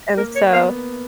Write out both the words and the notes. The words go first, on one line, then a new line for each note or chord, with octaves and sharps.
And so,
A#3 A#4
C#5
B3 F5